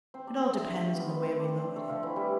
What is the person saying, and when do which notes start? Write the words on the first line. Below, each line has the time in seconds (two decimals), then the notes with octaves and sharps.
It all depends on the way we look at it.
0.14 C4 C5
0.27 D4 D5
0.41 C4 C5
0.54 A3 A4
0.68 G3 G4
0.81 A3 A4
0.95 B3 B4
1.08 C4 C5
1.22 C4 C5
1.40 D4 D5
1.58 C4 C5
1.76 A3 A4
1.89 F3 F4
2.03 E3 E4
2.16 G3 G4